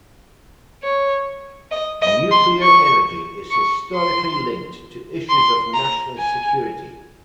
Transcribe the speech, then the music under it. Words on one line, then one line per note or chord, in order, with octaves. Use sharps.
Nuclear energy is historically linked to issues of national security.
C#5
D#5
D#5
C6
C#6
C#6
C6
C6
A#5
G#5